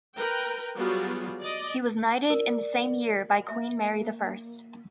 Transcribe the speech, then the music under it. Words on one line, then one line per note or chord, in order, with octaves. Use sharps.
He was knighted in the same year by Queen Mary the First.
A#4 B4 G5 A#5
F#3 G3 B3 F4 F#4 G#4
D5 D#5
A#4 D5
A#3 E5